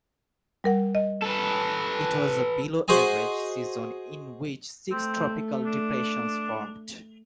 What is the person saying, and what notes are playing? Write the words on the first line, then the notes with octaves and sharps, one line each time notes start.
It was a below average season in which six tropical depressions formed.
G3 A#4 F#5
D#5
A4 B4
F#4 G#4 C5 D#5 G#5
A3 C4
D4